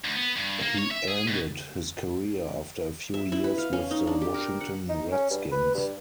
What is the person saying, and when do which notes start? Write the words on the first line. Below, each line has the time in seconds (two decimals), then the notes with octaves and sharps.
He ended his career after a few years with the Washington Redskins.
0.05 D2
0.16 B3
0.37 G2
0.62 A#3
0.78 C#5
0.91 E5
1.08 G#4
1.28 B2
3.14 E5
3.32 E4
3.44 B4
3.58 F5
3.73 C#4
3.91 D#4
4.07 D4
4.21 G4
4.34 A#4
4.61 F#5
4.89 D#4
5.12 C#4
5.30 G2
5.51 B4
5.74 G2